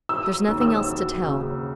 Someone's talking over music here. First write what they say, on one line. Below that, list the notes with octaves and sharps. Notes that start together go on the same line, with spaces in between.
There's nothing else to tell.
F#3 E6
D#2
E6
F#3
C#3